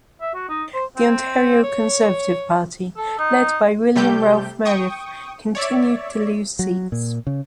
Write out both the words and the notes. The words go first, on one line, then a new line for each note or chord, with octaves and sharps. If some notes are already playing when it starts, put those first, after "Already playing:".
The Ontario Conservative Party, led by William Ralph Meredith, continued to lose seats.
E5
F#4
D#4
C5
C4
C#5
A4
D#4
C3 G3 A3 G4 G6
G5 C#6 D#6
C#5 D5 E5
F#3
A#2
C#3